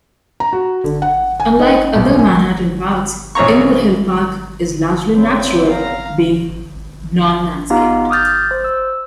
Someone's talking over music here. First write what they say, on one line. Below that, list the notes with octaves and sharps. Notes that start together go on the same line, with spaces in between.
Unlike other Manhattan parks, Inwood Hill Park is largely natural, being non-landscaped.
A#5
F#4
D3
F#5
G#5
D#4
B1
G#5
A#1 E2 C#5 A#5 C#6
E2 C#3 C4 E4
F5 A#5
B3 D#4 F4 G4 F5 A#5
D6 D#6 F6 G6 A6
C5
E6